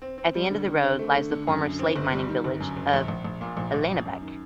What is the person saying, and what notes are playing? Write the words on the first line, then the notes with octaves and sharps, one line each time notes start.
At the end of the road lies the former slate-mining village of Ellenabeich.
C4
C4
G3
D3
D3
C4
A3
D3
D3
F#2
D3
C4
G1
G3
D#3
G1
F#2
G1
A#1
A#1
A#1
A#2
A#1
A#1
F#2
F#2
D#3